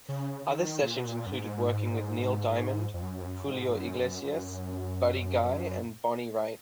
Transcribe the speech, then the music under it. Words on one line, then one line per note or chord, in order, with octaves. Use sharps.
Other sessions included working with Neil Diamond, Julio Iglesias, Buddy Guy and Bonnie Raitt.
C#3
D#3
A#2
B2
A#2
F#2
G#2
F2
F#2
F2
F#2
F#2
G#2
G#2
F#2
G#2
F#2
F#2